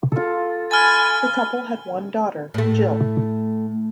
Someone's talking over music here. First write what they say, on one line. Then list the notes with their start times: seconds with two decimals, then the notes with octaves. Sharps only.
The couple had one daughter, Jill.
0.12 F4 A4
0.71 G#5 B5 F6 A6
2.54 A2 A3